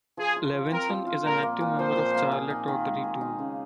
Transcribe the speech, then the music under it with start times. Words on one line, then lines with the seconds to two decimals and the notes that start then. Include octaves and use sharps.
Levinson is an active member of Charlotte Rotary, too.
0.17 F3 G#4
0.36 F4
0.54 F3
0.72 C4 A#4
0.89 F3
1.07 F4
1.25 A#2 A#4
1.43 A#3
1.61 A#2
1.79 F3 C5
1.96 A#2
2.14 A#3
2.32 G#4
2.50 D#4
2.68 D#3
2.86 G#3
3.04 G#4
3.21 D#4
3.39 C#3